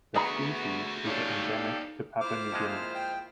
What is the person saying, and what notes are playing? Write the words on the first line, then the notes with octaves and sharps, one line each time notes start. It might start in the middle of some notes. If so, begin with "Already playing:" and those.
The species is endemic to Papua New Guinea.
A3 B3 F#4 G#4 A#5 B5
D#4 G4 A4 C#5 D5 F5
A#3 E4 F4 C5 D6 F6
F2 F3 G#3
G5